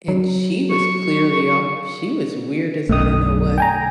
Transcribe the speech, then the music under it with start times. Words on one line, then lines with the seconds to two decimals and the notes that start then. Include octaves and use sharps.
and she was clearly off, she was weird as I don't know what.
0.08 F#3
0.70 C#6
2.89 B1 F#2 A3 D#6
3.58 G5 G#5 A#5